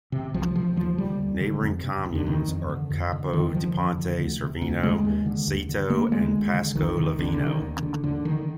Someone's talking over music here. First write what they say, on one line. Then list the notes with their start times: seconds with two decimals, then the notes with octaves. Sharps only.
Neighbouring communes are Capo di Ponte, Cerveno, Ceto and Paisco Loveno.
0.12 C3
0.34 C2 F3
0.55 C3 F3
0.76 D#2 F3
0.98 D3 G3
1.19 D#2
1.41 D3
1.62 F2
1.84 C3
2.05 F2
2.15 D3
2.26 C3 D#3
2.48 F2
2.69 D3
2.90 F2
3.12 D3
3.33 F2 D#3
3.54 D3 F3
3.76 F2
3.98 D3
4.19 D2
4.40 C3
4.62 D2
4.83 C3 G#3
5.05 D#2
5.26 D3
5.48 D#2
5.69 D3
5.90 D2 A#3
6.12 D3 G#3
6.33 D2
6.54 D3
6.75 C2 D#3
6.97 C3 D#3
7.18 C2 D3
7.33 D3
7.40 C3
7.46 D#3
7.61 D#2
7.83 D3
8.04 D#2 D3
8.25 D3 D#3